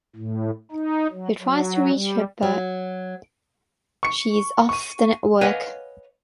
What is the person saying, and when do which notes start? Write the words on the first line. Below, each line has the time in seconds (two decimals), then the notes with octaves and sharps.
He tries to reach her but she is off the network.
0.16 A2
0.72 D#4
1.11 F#3
1.40 F#3
1.93 G3
2.42 F#3
4.03 C#6 C#7
4.69 C#6 D#7
5.41 B4 C#5 D#5 F5 F#5 G#5